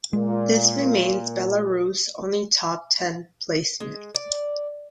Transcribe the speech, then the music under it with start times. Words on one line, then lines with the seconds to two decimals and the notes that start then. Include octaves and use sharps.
This remains Belarus' only top ten placement.
0.13 A#2 G#3
3.80 G#3
4.15 D5